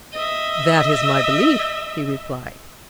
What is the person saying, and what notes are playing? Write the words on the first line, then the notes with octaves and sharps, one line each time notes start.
That is my belief, he replied.
D#5 E5